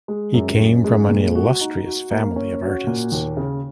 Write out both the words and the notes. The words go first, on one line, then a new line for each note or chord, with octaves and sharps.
He came from an illustrious family of artists.
G#3
F#2
F#2
G#3
A#2
F#4
D#4
F#4
A#3
C#4
F#4
A#2
D#2
C#3